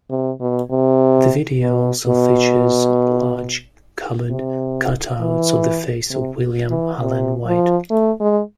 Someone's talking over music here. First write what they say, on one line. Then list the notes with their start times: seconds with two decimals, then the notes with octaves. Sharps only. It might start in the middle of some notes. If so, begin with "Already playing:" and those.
The video also features large cardboard cutouts of the face of William Allen White.
0.10 C3
0.40 B2
0.70 C3
1.60 B2
2.06 B2
4.30 C3
5.20 E3
6.10 C3
6.70 E3
7.01 C3
7.46 F3
7.90 A3
8.20 G#3